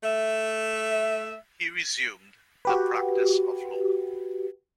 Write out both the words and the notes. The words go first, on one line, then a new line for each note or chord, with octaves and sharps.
He resumed the practice of law.
A3 E5
F#4 G4 B4